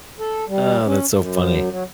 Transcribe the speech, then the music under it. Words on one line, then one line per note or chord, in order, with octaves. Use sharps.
Uh, that's so funny.
A4
G3
C#4
F#2
F#3